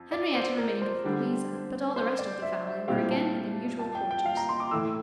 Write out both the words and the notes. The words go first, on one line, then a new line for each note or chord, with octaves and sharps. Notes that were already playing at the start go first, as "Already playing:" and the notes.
Henrietta remained with Louisa; but all the rest of the family were again in their usual quarters.
Already playing: F2
D5
C5
A#4
C5
D3 G3 D4 G4
C5
D5
E5
E5
A#2 G3 C4 E4 G4 F5
A5
A5
G5
G5
F5
A#5
C6
D6
A2 E3 A3 E6